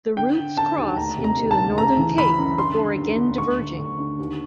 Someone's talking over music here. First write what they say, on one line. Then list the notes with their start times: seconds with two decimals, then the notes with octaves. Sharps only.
The routes cross into the Northern Cape before again diverging.
0.16 D3 G5
0.37 D3
0.57 D3 A5
0.77 D#2
0.97 D2 A#5
1.17 C3
1.24 A#5
1.38 D#3
1.51 A5
1.58 D2
1.78 C#3 A#5
1.97 E3
2.18 E3 B5
2.38 F#2
2.58 D3 C6
2.78 D3
2.98 D#2
3.18 D3
3.38 D2 C#6
3.59 D2
3.79 D2
3.99 D3
4.19 D#2